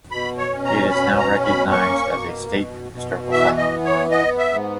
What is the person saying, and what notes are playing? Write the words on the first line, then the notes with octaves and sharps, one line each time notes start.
It is now recognized as a state historic site.
B2 B5
C#5
C#4
A#5
B2 B5
A#5
C#4
B5
A#3 C#6
B2
B2
B2
E3 E5
D#5
B3
C#5
B3 D#5
E5
G#2